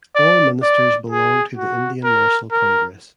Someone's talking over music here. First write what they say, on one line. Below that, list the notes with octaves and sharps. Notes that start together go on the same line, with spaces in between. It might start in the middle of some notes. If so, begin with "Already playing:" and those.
All ministers belonged to the Indian National Congress.
D5
D5
G#4
F#4
A#4
A#4